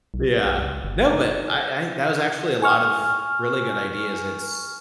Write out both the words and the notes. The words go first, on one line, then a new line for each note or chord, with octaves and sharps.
yeah. No, but I I that was actually a lot of really good ideas. It's
B1
C#2
G1
D#4
G#5 C#6 F6